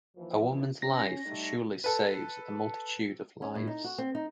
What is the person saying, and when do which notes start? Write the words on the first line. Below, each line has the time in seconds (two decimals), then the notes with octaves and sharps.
A woman's life surely saves a multitude of lives.
0.16 D#2 E3 F3
0.82 C#4 A#6
1.24 G3 A3 D#4
1.84 A4 B4
3.42 C#4
3.55 A2
3.67 D#4
3.84 F#4
3.98 C4
4.15 D#4